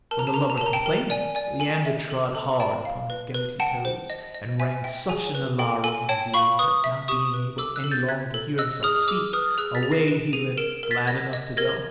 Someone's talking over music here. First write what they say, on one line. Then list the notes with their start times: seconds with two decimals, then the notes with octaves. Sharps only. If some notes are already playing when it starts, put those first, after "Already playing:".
When the lover complained, Leander trod hard upon his gouty toes, and rang such an alarum in his ears, that, not being able any longer to hear himself speak, away he limped, glad enough to go.
0.11 A#4 A5
0.19 A#5
0.27 A5
0.34 A#4 A#5
0.42 A5
0.50 A#5
0.57 A5
0.61 A#4 A#5
0.73 G5 A5
0.86 A#4
1.10 D5 G#5
1.35 D5 G#5
1.60 A4 G#5
1.85 E5
2.10 A4
2.35 A4
2.60 D5 G5 A5
2.85 F5
3.10 B4
3.35 B4
3.60 F#5 G5 A5
3.85 C5
4.10 D#5
4.34 D#5
4.60 E5 G#5
4.84 E5 G5
5.09 G#4 G#5
5.35 B4
5.59 A4 G5
5.84 A4 G#5
6.09 C#5 G5 A5
6.34 F5 B5 C#6
6.59 B4 C#6 D#6
6.84 E5
7.08 G4 C#6 D#6
7.34 B4
7.58 A4 D6 E6
7.76 E6 F#6
7.84 A4
7.92 G6 A6
8.09 E5 F#6 G#6
8.34 A4
8.58 D#5 E6 F#6
8.83 G#4 D#6 F6
9.08 G#4 D6 E6
9.33 B4 D#6 F6
9.58 G#4 E6 F#6
9.75 A6 B6
9.83 G#4
9.92 A#6 C7
10.08 B4 D7 E7
10.33 G#4 D#7 F7
10.57 A#4 D7 E7
10.83 A#4
10.91 A6 B6
11.07 D#5 G#6 A#6
11.33 D#5
11.57 A#4 G#6 A#6